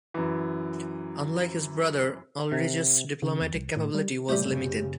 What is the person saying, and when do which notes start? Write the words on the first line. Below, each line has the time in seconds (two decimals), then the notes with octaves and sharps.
Unlike his brother, Ulrich's diplomatic capability was limited.
0.14 F#2 E3
2.52 C3
3.22 C#3
3.41 E2
3.54 C2
3.77 A2
3.95 G3
4.29 F#1 A2 C#3 G3 G4